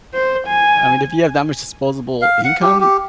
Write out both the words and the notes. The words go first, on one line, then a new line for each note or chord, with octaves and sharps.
I mean, if you have that much disposable income, uh
C5
G#5
F5
F#5
G4
G4